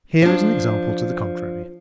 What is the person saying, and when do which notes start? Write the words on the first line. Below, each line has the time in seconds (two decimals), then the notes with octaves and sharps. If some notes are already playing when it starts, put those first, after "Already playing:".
Here is an example to the contrary.
0.22 F3 D4